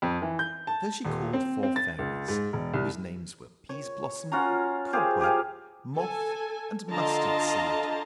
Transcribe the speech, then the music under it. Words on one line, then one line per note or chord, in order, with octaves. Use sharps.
So she called four fairies, whose names were Peaseblossom, Cobweb, Moth, and Mustardseed.
F2
E3
G6
A5
D#1
C4
C4
A6
C#2
G#2
E1
C2
C#5
C#4 F4 F#4 A#5
G4 G#4 C5 F5
G4 G#4 F5
A4 G#5
D3 F4 D#5 A5 A#5 C6